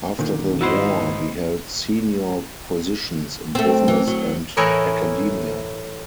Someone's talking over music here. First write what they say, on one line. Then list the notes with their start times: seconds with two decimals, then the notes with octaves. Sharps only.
After the war he held senior positions in business and academia.
0.19 A#2 D3 D#3
0.61 G#2 D#3 D#4 E4 F#4 B4 C5
3.55 A3 C4
3.88 E3
4.07 F#3
4.57 A2 E3 E4 A#4 C#5 D#5